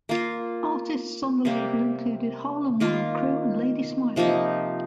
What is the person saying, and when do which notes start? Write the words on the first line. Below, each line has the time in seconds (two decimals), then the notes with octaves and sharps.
Artists on the label included Harlem World Crew and Lady Smiley.
0.09 A#3 F4 A#4
1.45 C3 G3 A#3
2.80 D#3 A#3 F4
4.16 C3 F3 A#3 D#4